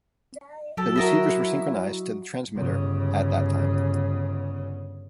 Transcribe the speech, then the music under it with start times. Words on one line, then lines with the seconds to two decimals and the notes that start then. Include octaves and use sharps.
The receivers were synchronized to the transmitter at that time.
0.77 F#3 G4 A4
0.96 E4 F#4 A#4 D#5 E5
2.55 G1 C#3